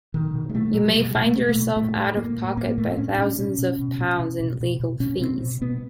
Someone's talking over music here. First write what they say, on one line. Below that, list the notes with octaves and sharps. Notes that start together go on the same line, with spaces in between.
You may find yourself out of pocket by thousands of pounds in legal fees.
B2 D#3
B2
G#3
B2 A3
B2 F#3
G3
B2 G#3
B2
A3
B2
A3
B2
A2 A3
A2
A2 A#3
A2
A2 A#3
A2 A3
C4
A2 C#4
D4
A2 C#4
B2 C#4
B2
B2
B2
B2
B2
B2
B2
B2 C#4
B2 C4
B2
B2 B3